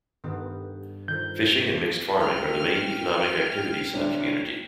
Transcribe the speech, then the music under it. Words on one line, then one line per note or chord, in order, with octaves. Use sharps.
Fishing and mixed farming are the main economic activities in the community.
G2 D#3 B3 G4 A4
D#3 F4 A4 C5 G6
G5 F6
D2 D4 C#5